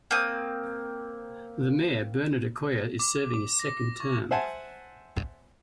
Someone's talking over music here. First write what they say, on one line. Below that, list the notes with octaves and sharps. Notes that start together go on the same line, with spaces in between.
The mayor, Bernard Accoyer, is serving his second term.
A#3 C4 D#6
D6
D6
A#6
C#6
C5 E5 F#5 G#5 A5